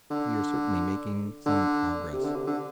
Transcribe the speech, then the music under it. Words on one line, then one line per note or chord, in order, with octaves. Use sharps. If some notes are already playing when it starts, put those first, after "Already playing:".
We are certainly making some progress.
D3
D3
C3
D3
C3
D3